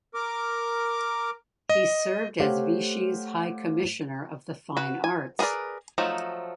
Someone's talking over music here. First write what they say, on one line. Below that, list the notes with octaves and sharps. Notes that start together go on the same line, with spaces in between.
He served as Vichy's High Commissioner of the Fine Arts.
A#4 D6
D#5
A3 G4 C5 C#5 F5 F#5
F#4 B4
G#5
B3 G#4 A#4 B4 D5
F3 F#3 A3 D#4